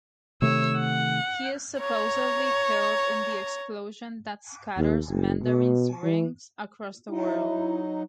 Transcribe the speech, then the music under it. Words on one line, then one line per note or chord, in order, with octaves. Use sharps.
He is supposedly killed in the explosion that scatters Mandarin's rings across the world.
C3 D#3 A3 C#5 E6
F#5
C#5 A#5
D#2
F#1
B2
E3
F#3 D#4 E4